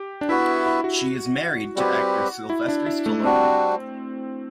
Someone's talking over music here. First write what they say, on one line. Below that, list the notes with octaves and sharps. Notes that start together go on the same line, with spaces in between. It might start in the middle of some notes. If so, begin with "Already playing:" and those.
She is married to actor Sylvester Stallone.
Already playing: G4
D4
B3 E4 F#4 B4 E5
E4
F#4
G3 C4 F#4 G4 B4
E4
D4
E4
A3
G3 C4 D4 F#4